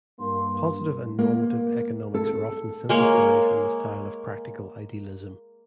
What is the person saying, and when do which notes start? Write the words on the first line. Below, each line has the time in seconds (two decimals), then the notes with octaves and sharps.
Positive and normative economics are often synthesized in the style of practical idealism.
0.20 G2 A#3 C6
1.19 A#3
2.14 A4
2.89 G#3 A#3 C#5